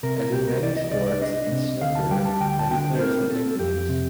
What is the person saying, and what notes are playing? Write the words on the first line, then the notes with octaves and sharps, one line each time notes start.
As in many sports, in snooker many players have nicknames.
C3 A#4
A#4
C2 G4
A#4
C2 D5
D#5
C2 D5
D5
D4 D#5
C3
D2 F5
A5
G3 G5
A5
D2 G5
A5
D3 G5
C5
C4 A#4
C4 A4
A4
F2 G4
C3